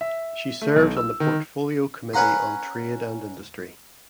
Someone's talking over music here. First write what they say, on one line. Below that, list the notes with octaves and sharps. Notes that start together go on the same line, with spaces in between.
She serves on the Portfolio Committee on Trade and Industry.
E5
A3
B1
E6
D#3
C#4 B4 F#5 A#5 C6